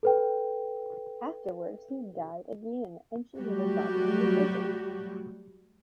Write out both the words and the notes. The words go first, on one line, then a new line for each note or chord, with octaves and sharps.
Afterwards he died again and she hid his body in the desert.
A4 B4 G5
F#3 G3 A3 F#4 G4